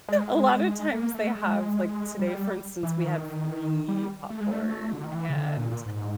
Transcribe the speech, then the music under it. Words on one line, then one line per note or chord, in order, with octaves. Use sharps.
a lot of times they have, like today, for instance, we had free popcorn and
G#3
A#3
A3
G#3
G3
E3
D#3
G3
A3
G#3
A3
D3
D#3
E3
C#3
D3
A#2
A#2
G#2